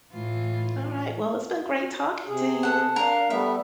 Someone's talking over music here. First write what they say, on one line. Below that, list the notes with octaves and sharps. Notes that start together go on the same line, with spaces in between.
Alright. Well, it's been great talking to you.
A2 E3 F4
C3 G#4
A4 F#5
D4 A#4 F5
G3 A3 B3 E5